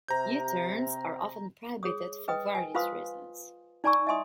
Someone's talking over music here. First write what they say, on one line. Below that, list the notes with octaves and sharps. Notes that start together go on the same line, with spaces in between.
U-turns are often prohibited for various reasons.
C3 A#5 G6
G#4 C#5 D#6
B4 D#5 G5 D#6
G#5
F4 B4 C5 F5 C6 D#6
D#4 D5 G#5 A#5 C#6 E6
D#5 E5 G#5 C6 D#6